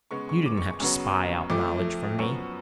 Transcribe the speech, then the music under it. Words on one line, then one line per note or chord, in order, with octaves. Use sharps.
You didn't have to spy out knowledge from me.
C#3 G#3 B3 C#6
C#6
D6
C#6
C#6
F#2 C#3 F#3 B3 C#6
F2 F3 A3 D6
F#2 F3 B3 C#6